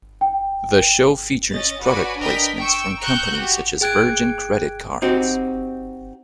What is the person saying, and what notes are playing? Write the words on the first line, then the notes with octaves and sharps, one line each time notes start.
The show features product placements from companies such as Virgin Credit Cards.
G5
C#4 D#5 A6
F#4 B4 C#5 D5 G#5 B5
D4 A#4 B4 D#5 G5 B6
G5 C#6 E6
G5 A#5 C#6 E6 F#6 G6
F#4 G4
G#4 G5 F#6 G#6 D7
C4 D#4 F#4 G4